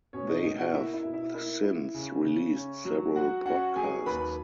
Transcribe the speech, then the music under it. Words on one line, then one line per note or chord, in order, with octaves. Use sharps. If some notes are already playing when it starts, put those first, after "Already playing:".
They have since released several podcasts.
B2 C#4 C#5
D#4 D#5
B2 D#4 D#5
F#4 F#5
A#3 E4 E5
E4 E5
B2
E4 E5
A#3 E4 E5
E4
C#3
C#3
C#4
F#3
F#3 F#4 F#5
C#4 F#4 F#5
F#3 G#4 G#5
D#2 B4 B5